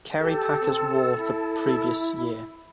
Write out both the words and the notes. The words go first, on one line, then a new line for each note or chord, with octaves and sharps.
Kerry Packer's War the previous year.
G4 A4
C4
E4